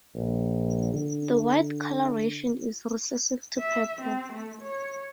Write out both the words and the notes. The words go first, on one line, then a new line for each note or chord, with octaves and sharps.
The white coloration is recessive to purple.
A#1
D3
E5
C4
A3
C#5